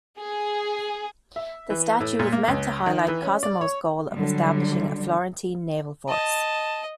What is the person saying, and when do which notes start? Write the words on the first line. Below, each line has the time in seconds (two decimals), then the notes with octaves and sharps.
The statue was meant to highlight Cosimo's goal of establishing a Florentine Naval force.
0.18 G#4
1.36 E5
1.70 E3
2.00 A2
2.19 A#2
2.32 A#3
2.48 C#2
2.86 D#3
3.08 E3
3.22 C#4
3.43 D5
3.61 C#5
4.14 D3 F#3 G3
6.08 D#5 A5